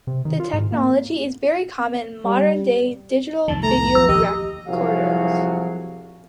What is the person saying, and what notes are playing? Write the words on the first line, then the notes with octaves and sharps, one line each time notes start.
This technology is very common in modern-day digital video recorders.
C3
D#3
F4
G#2
A#3
G3
C2 F2 D#3 A5
A3 A#5
A2
F3 E6
A1 D#2 G4 D#5
C2 F3 F#3 F#4 G#4 F5